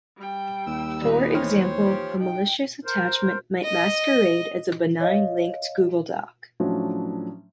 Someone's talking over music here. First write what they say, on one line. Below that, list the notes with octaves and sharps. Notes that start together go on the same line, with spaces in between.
For example, a malicious attachment might masquerade as a benign linked Google doc.
G3 G5
D#2 E6
A#2 D#3 G3 D#4 B4
E3 C5 C#5 G5 F6
F3 G4
D#4 G5
A#4 C5
D#5
C#5 D#5 F5
A2 F3 F#3 C#4 D4